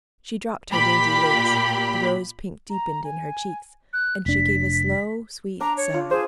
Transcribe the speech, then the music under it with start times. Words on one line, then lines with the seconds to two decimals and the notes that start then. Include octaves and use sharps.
She dropped her dainty lids, the rose pink deepened in her cheeks, and she gave a slow, sweet sigh.
0.71 A#2 G4 B5
2.70 A#5
3.04 G#5
3.93 F#6
4.26 F1 D4 B6
5.61 D4 A#5
5.77 C#5
5.94 F4
6.11 G#4 C5